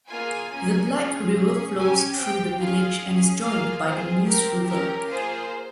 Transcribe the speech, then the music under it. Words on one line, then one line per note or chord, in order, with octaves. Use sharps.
The Black River flows through the village and is joined by the Moose River.
A#3 F4 G#4 G#5
A#3 C#4 G#4
C#4 F4 G#4
C#4 G#4
C#4 G4 G#5
C4 G4 G5
C#4 F4 G#4 F5
C#4 G#4
A#3 F4 G#4 F5
C4 F4 G#4 C5
C4 G4 A#4
C#4 G4 A#4
A#3 F4 G#4 C5